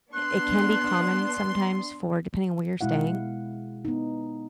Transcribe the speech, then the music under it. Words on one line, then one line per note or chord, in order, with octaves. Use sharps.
it can be common sometimes for depending on where you're staying,
B3 D4 C6 F#6
B2 G#3 E4 F5 F#5
B3 D#4